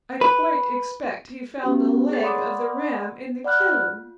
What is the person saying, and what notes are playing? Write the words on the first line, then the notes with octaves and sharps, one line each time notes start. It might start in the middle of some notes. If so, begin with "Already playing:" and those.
I quite expect he found a leg of the ram in the kiln.
B4
A3 B3 C#4 F#4 G4
G#4 C#5 A6
D5 F#5 B5 C6 D6 D#6
D5 F#5 B5 F6 F#6
F4